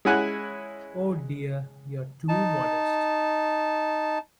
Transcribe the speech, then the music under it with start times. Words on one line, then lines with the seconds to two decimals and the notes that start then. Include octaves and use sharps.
Oh, dear, you are too modest.
0.05 G#3 C#4 E4 F#5 G#5 F#6
2.29 D#4 A5